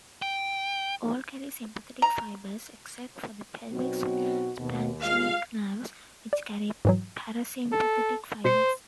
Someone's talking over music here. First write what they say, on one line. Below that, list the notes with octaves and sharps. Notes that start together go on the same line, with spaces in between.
All carry sympathetic fibers except for the pelvic splanchnic nerves, which carry parasympathetic fibers.
G5
A#5
B2 F#3 B3 C4 D#4 F#4
D#2 B2
G3 G#3 F4 F5
D5
G#2 E3 F#3
A4
B2 C5 B6 C#7